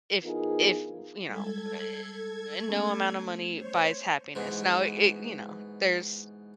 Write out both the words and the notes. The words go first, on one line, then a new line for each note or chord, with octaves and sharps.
eh, if if, you know, er, no amount of money buys happiness. Now i it you know, there's
E3 B3 D#4 F4 G#4 A#4
G3 G#3 A4 G#6
A3 B3 C#4
C5 C#5
G#2 B2 E3